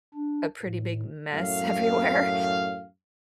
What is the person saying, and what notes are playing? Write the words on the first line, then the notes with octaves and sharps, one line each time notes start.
a pretty big mess everywhere,
D4
A2
F#2 A2 F5